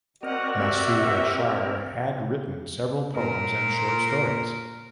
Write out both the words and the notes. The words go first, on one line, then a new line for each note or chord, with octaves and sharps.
Masood Ashar had written several poems and short stories.
C4 F#4 A#4 D5 D#5 F#5
G4 E5
A#2 A#4